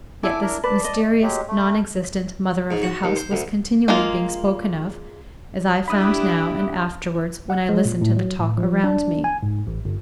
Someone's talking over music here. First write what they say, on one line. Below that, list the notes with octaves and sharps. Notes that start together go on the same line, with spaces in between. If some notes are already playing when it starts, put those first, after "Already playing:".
Yet this mysterious non-existent mother of the house was continually being spoken of, as I found now and afterwards when I listened to the talk around me.
E4 A4 G#5 D6
D4 A#4
B4 D5 A5
D#5
F#3 G#3 G4
A3
G#2
F#4
D#2
C5
D2
G#3 A#3 F4
D4 E4 G4 B5 D#6 F#6
F#5
G#3
A#2
A2
F#3
A2
F3
D4
G#5
G#2
A1
G1